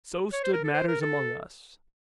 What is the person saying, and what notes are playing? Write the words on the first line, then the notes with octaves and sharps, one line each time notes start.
So stood matters among us.
C#5
C5
A#4
A4
C5
A#4
A4